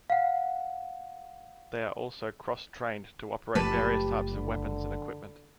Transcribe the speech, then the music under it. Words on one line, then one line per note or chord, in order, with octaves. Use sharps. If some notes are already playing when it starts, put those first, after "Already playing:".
They are also cross-trained to operate various types of weapons and equipment.
F5 F#5
F#1 F3 A3 G4 B4 D5 A5
D3